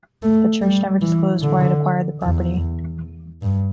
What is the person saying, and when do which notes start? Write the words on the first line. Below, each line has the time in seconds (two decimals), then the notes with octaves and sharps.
The church never disclosed why it acquired the property.
0.23 A3
0.62 G3
1.02 E3
1.42 D3
2.22 E2
3.43 G2